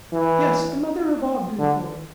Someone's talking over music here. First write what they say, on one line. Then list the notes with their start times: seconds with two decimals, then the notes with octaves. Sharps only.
Yes, the mother of Ogden Ford.
0.13 E3
1.59 D3